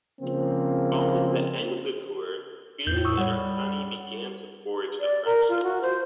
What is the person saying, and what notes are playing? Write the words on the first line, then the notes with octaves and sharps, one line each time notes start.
Following the end of the tour, Spears and Artani began to forge a friendship.
C#3 F3 A#3 C4
E2 A2 G6
C#6 D#6 E6
G3 C#5 F#5
D5
A#4
F4
F#4
C5